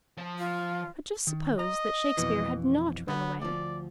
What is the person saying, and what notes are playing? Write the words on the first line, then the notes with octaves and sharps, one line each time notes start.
But just suppose that Shakespeare had not run away!
F3 A5
F4
D#3
D#5 A#5
F2 B2 E3
D3 B3
D2 F3 D5